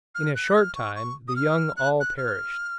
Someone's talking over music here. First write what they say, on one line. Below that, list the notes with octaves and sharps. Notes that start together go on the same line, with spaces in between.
In a short time the young all perished.
F6
F#6
F6
C#6
C#6
D#6
F6
F#6
F#6
F6